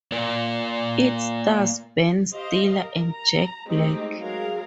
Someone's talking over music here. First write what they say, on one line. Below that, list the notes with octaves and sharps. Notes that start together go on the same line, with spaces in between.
It stars Ben Stiller and Jack Black.
A#3 F4 A#4 D5
G4 C5 D#5 F5
A#4
A#5
G#3 A3 C4 D#4 G4
F#3 G#3 G#4 A#4 F5